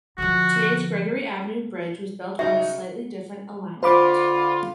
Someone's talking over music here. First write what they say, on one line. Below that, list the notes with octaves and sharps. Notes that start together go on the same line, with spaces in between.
Today's Gregory Avenue Bridge was built on a slightly different alignment.
D3 F3 F#4
C#3 D#4 F#4 E5
D3 F4 C5 B5 D6